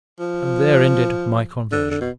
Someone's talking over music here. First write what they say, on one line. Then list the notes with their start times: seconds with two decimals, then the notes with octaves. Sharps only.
And there ended my conversion.
0.19 F3
1.72 D3
1.91 D3
2.01 B2